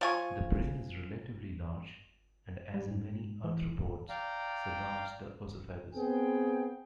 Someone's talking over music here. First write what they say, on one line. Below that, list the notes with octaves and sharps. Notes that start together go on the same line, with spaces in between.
The brain is relatively large, and, as in many arthropods, surrounds the oesophagus.
F3 G#5 C#6
G3
G#2
E3
D5 F5 G5 A#5
B3 C4 G#4 G5